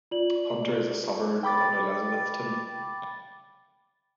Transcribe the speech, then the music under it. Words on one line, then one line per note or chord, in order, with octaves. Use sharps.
Hunter is a suburb of Elizabethton.
F4 D5 F#7
G5 B5 D6 A6